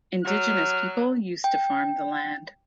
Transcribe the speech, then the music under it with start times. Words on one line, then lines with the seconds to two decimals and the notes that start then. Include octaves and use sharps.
Indigenous people used to farm the land.
0.25 F#3 F6
1.44 G5